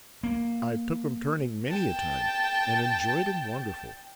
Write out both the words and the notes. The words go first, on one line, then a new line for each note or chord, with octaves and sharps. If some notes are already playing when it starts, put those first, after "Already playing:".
I've took 'em turning many a time, and enjoyed 'em wonderful!'
A#3
G5 A5